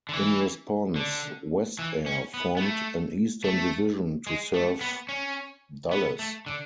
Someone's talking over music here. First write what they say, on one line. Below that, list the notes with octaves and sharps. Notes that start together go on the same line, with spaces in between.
In response, WestAir formed an eastern division to serve Dulles.
D3
E3
D3
E3
C#4
B3
B3
A3
A3
G#3
A3
B3
C#4
B3
A3
D3